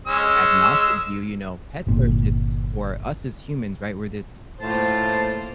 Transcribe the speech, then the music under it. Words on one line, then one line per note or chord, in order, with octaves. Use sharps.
more agnostic view, you know, pets are just for us as humans, right, we're this
G#3 C#4 E6
G1 A#2
A2 A#3 F4 C5 A5